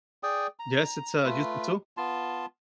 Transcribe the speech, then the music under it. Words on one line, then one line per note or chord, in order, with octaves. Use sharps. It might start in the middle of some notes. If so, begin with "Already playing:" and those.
Yes, it's, uh, useful too.
G#4 D5 G5 D#6
A#5
A3 F4 B4
B3 F4 A5 C6